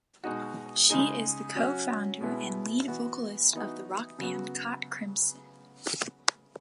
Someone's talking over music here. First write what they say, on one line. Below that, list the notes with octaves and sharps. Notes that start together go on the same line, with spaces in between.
She is the co-founder and lead vocalist of the rock band Caught Crimson.
B2 G#3 D#4 F#4
C#3 G#3 D#4 G#4
F#3 C#4 F#4
B2 G#3 B3 E4
E3 B3 F#4
E3 B3 D#4 F#4
C#3 F#3 B3 F#4